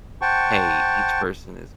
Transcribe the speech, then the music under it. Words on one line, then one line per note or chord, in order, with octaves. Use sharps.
hey, each person is
C5 F#5 G5 A5 C#6